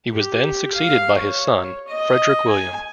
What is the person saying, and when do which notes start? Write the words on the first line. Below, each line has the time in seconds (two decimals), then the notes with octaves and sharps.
He was then succeeded by his son, Frederick William.
0.12 G4
0.75 F5
1.18 C#5
1.88 D#5
2.48 G#5